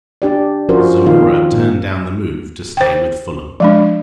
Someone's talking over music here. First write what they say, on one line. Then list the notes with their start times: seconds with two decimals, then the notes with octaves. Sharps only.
Zamora turned down the move to stay with Fulham.
0.22 D4 G4 D5
0.69 F3 C#4 F4 F#4 A#4 C5
1.06 D#3 C4 D#4 F4 G#4 F5
1.52 A#2
2.77 C5 G5
3.60 F3 G#3 D4